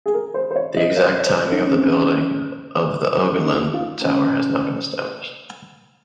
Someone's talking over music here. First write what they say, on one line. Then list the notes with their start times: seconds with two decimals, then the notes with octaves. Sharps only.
The exact timing of the building of the Ogulin tower has not been established.
0.06 G#4
0.14 A#4
0.34 C5
0.51 C5
0.55 C#5
0.77 D#5
0.97 C#5
1.20 C#5
1.25 C5
1.52 D#4
1.62 C#4
1.71 C4
1.82 C#4
3.46 D#4
3.74 F4
4.01 C#4